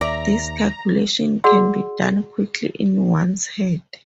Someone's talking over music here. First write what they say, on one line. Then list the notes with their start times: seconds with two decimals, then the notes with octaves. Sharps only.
This calculation can be done quickly in one's head.
0.01 D#2 D5 E5 A#5
1.44 F#4 G#4 D5 F#5 C6 E6